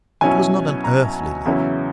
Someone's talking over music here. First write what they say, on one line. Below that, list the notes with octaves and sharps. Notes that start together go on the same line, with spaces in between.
It was not an earthly love.
B2 F#3 C#4 E4 G#5
A#5
E2 C#3 F#3 C#4 E4